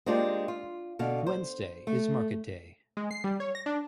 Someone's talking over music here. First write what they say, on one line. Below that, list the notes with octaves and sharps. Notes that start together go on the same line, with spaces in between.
Wednesday is market day.
G#3 A#3 C4 D4 F4 G4
F4
B2 D3 F5
C5
A3
G#3
C7
G3
C#5
A#6
D4